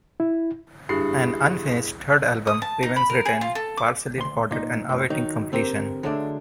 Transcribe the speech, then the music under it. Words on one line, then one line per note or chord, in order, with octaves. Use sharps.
An unfinished third album remains written, partially recorded and awaiting completion.
E4
G2 E4 G#4 C7
D#6
A5
D#4
B5
A#4
G#4
F4
A4
D6
D2 C6
A#2 D#4
F#2 A2
D#3 F#3 D#4
D3 C4 G4 A#4
D3 F#3 G#3 A3 D4